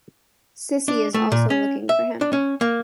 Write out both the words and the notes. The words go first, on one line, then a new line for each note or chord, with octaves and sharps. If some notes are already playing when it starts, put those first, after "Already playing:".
Sissy is also looking for him.
D4
A3
A#2
C#4
E5
D4
C#4
A#3